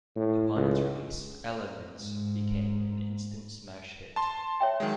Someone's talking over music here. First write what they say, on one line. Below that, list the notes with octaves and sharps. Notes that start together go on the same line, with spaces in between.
Upon its release, "Elle'ments" became an instant smash hit.
A2
C#2
G#2
A5 C6
C#5 E5 G5
D#3 F#3 G#3